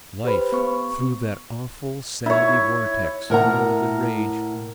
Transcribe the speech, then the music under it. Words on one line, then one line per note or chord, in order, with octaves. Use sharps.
Life, through that awful sandy vortex, whirled and raged.
G4 B4 C5 B5
B3 C#6
E4 C#5
A2 A#4 F#5 A#5